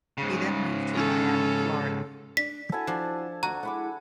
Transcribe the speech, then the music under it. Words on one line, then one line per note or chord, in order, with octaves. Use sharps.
He then moved to Miami, Florida.
G#2 C#3
C#4 A4
D4 B6
E4 F#4 A4 F#5 G#5
F3 D4
D2 F#4 A#5
G#3 E4 F#5 B5 D6